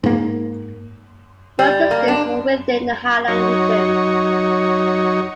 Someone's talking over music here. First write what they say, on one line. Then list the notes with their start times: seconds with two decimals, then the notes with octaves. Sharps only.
Both districts were within the Highland region.
0.04 G#2 A#3
1.59 G3
1.91 A#3
2.08 D4
3.28 F#3 D#4 C#5